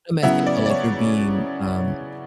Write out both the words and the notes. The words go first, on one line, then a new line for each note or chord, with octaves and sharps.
not messed up, but, like, you're being, um,
C#3 F#3 B3 E4 E5
D5
D5
C#5